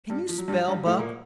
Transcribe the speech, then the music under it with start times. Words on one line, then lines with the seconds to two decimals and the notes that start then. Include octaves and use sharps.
"Can you spell, Buck?"
0.10 G2 G3
0.29 F3
0.38 F#3
0.48 G2 G3
0.58 F#3
0.67 G2 G3
0.77 F#3
0.86 A2 A3
0.99 A#2 A#3